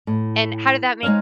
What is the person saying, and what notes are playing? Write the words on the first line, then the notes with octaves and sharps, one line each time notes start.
And how did that make
A2
G#3 D#4 C5 C#5 F5